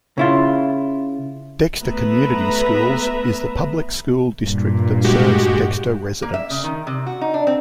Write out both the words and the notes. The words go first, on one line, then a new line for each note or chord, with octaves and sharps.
"Dexter Community Schools" is the public school district that serves Dexter residents.
C#3 E4 F4
A3 B3 B4 E5 A#5
G2 A#2
G#3 F#4 G4
A#3
E5
C#3
D#3
C3
F#4
D#4
D4
C4